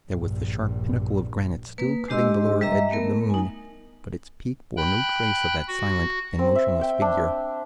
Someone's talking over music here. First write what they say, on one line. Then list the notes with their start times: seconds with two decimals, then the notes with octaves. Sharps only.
There was the sharp pinnacle of granite still cutting the lower edge of the moon, but its peak bore no trace of that silent and motionless figure.
0.11 A#1 G2
1.78 A#3 B4
2.08 G#3 D4 G4 D#5 C6 E6
2.61 G3 D#5 E5 A#5
2.91 A3 B3 A#4
3.30 D#4 G#5
4.77 G5 B5 F#6
5.68 F#4
6.39 C4
6.55 E5
6.81 G5
7.02 D4